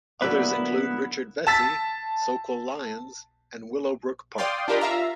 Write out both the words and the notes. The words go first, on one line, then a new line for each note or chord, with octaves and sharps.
Others include Richard Vessey, Soquel Lions, and Willowbrook Park.
D3 F#3 A#3 B3 E4 B4
A5 E6 A6 B6
D5 F5 G5 C6 D#6
D4 F4 G4 A#4 D#5 B5
F4 E5 F5 A#5